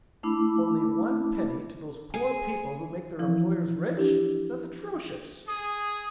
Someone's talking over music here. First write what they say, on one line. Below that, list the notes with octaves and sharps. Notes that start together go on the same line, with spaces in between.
"Only one penny to those poor people who make their employers rich! That's atrocious!"
A3 D4 E4 B5 D6
G#4
E3 F3 E4
D4 E4 G4
G#4 D#6